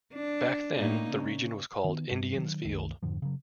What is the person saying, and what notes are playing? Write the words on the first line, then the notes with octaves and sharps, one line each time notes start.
Back then, the region was called "Indians' Field".
D4
A2 A#3 D#4
C#3
D#3 B3
G2
D#3 F#3
C2 F#2 D#3 A3
F2 G#2 D3 F3
C#3 F#3